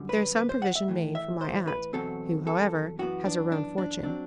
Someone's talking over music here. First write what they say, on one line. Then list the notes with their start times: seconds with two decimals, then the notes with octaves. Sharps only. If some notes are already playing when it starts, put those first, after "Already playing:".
There is some provision made for my aunt, who, however, has her own fortune.
Already playing: F#2 D3 G3
0.09 B4
0.36 B4
0.49 C5
0.62 F#5
0.75 E5
0.88 A2 E3 A3
1.15 E5
1.41 C5
1.67 B4
1.93 E2 B2 F#3 C4 A4
2.47 A4
2.99 F#2 E3 B3 F#4
3.25 D4
3.52 D4
3.78 D4
4.04 F#3 C4 D4